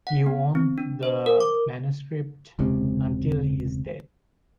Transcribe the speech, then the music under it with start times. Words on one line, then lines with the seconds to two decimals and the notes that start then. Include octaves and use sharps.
He owned the manuscript until his death.
0.07 F#5
0.26 B3
0.55 C4
0.78 D4
1.03 C5
1.26 A#4
1.40 D6
2.59 E1 C#2 C3